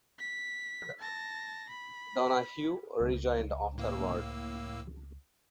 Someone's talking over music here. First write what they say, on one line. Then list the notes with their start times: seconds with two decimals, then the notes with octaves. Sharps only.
Donahue rejoined afterward.
0.19 B6
1.00 A5 A#6
1.69 B5
3.00 C#2
3.78 A2 A#3 E6